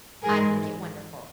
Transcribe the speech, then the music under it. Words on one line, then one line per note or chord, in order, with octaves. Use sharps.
I think it wonderful.
G#2 E3 G#3 G#4 A#4